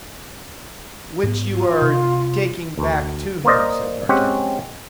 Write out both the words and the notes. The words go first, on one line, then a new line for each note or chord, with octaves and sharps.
"Which you are taking back to him?" said d'Artagnan.
G#2 B3
F4
C3
D2
A#3 A#4 C5 D5 D#5
G#3 C4 C#4 G4 F#5